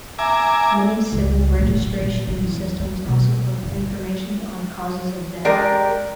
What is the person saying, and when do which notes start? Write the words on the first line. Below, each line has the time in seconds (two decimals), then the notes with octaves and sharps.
Many civil registration systems also collect information on causes of death.
0.19 E5 G#5 A#5 D6
1.13 C#2
1.59 A2
1.77 F#3
2.00 A#2
2.27 G3
2.43 E2
2.79 F2
3.05 B2
3.63 G1
5.45 G#3 G4 A#4 D5